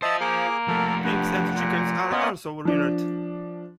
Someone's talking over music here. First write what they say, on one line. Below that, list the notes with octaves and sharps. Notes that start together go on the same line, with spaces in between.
Pigs and chickens are also reared.
F4 C5 D#5 E5 A5
A#3 G#4 D6
F3 A3 A4 A#4
G2 F#5
A#2
B3 C#4 F4 D#5
F3 D4